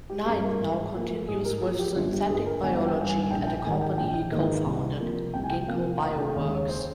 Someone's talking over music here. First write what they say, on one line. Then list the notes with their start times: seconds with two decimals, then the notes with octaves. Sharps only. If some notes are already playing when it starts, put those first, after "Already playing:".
Knight now continues with Synthetic Biology at a company he co-founded, Ginkgo Bioworks.
0.10 G4
0.26 G2 G3 C4 G#4
0.44 A#4
0.61 G#2
0.94 F3 A#3
1.28 G#2 G#4
1.44 A#4
1.62 A#3 G#4
1.65 F3
1.79 G4
1.95 G1 F4
2.13 G4
2.29 G2 G3 G#4
2.46 A#4
2.63 G1 G#5
2.75 F5
2.86 G5
2.97 G2 G3
3.09 G#5
3.23 G#5
3.31 A#1 G5
3.47 G5
3.64 G#2 D#3 A#3 D#4 G#5
3.81 G5
3.98 A#1 G5
4.32 G#2 D#3 A#3 D#4
4.66 C2
5.00 C3 F3 A#3
5.34 C2 G5
5.44 G#5
5.50 G5
5.68 C3 F3 A#3 F5
6.01 F1 F5
6.18 G5
6.36 D#2 C#3 G#3 F5
6.53 C#5
6.69 C5